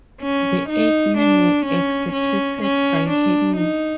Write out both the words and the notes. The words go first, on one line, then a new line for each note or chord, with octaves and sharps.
The eight men were executed by hanging.
C#4
D#4
D4
C#4
C#4
C#4
D4
D#4